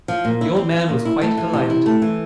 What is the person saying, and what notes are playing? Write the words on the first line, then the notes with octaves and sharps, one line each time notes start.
The old man was quite delighted.
F3
A#2
E4
C4
F3
A#2
E4
A3
E3
C3
E4
A3
E3